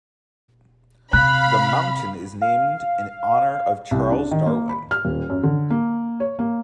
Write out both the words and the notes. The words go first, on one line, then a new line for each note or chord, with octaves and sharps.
The mountain is named in honour of Charles Darwin.
C3 F5 B5 F#6
F5
C2
D4
D#3
A#3
B5
F6
D#1
F#2
D3
A#3
C#5
A#3